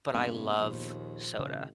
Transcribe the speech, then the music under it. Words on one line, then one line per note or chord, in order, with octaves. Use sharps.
but I love soda,
G2 C3 G#3 A#3 B3 D4
A#1 D#2
G#1 C#3